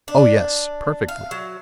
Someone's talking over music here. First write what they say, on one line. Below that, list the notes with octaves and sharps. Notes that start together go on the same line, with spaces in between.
"Oh, yes--perfectly."
D4
F5
F#3